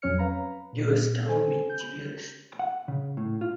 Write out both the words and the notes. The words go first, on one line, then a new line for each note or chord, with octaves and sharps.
You astound me, Jeeves.
F2 F#3 C#4 C#5 F6 C#7
B4 F5 A#5 B5
A#2
A4 C5 G#5
G6
F#5
C#3
A2
F4